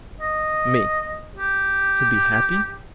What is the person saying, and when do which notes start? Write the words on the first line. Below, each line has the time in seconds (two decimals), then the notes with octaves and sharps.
ME: To be happy?
0.21 D#5
1.36 G4